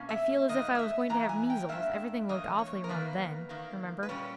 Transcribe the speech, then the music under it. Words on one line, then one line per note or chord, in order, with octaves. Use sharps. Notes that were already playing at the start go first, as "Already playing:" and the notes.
I feel as if I was going to have measles; everything looked awfully rum then, remember.'
Already playing: B2 A#3 C#4
E5
G#2 E3 A#3 D#5
D#5
E5
G#2 E3 A#3 A#5
G#5
G5
G2 E3 A#3 E5
G2 E3 A#3 D#5
C#5
A#4
E2 D#3 A#3 B4
E2 D#3 A#3
B4
A#2 G3 C#4 C#5